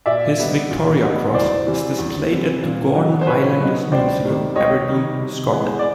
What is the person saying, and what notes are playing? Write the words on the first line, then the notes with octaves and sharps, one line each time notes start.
His Victoria Cross is displayed at the Gordon Highlanders Museum, Aberdeen, Scotland.
A#2 D5 E5
G3 B3 D#4
A#2
G3 B3 D#4
E2 C5 D5
C3 E3 G3 C4
E2
C3 E3 G3 C4
A#2
F#3 B3 D#4
C5
A#2 B4 C#5
F#3 B3 D#4
C#2 C5 D5
C3 D#3 G3
C#2 C#5 D#5
C3 D#3 G3
C3
E3 G#3 B3
D5